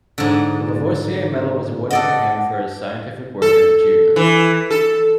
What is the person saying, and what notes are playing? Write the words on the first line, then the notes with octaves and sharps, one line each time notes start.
The Lavoisier Medal was awarded to him for his scientific work and achievements.
G#2 D3
A4 D5 D#5 F#5
A4
E3
A4